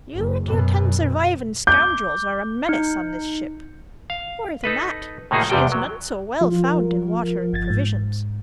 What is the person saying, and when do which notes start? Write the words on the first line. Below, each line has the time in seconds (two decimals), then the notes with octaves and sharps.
You and your ten surviving scoundrels are a menace on this ship. More than that, she is none so well found in water and provisions.
0.14 F#1
0.47 F#2 B2
1.67 D6 G6
2.68 D#4 C#7
4.10 F5
4.64 D#4 A4 B4
5.31 A2 D#3 A#3 D#4 F#4 G#4
5.50 E2 C3 G3 G5
5.72 F#3
6.41 F3 F4
6.65 A#4
7.53 G1 G#6 A6
7.70 G#2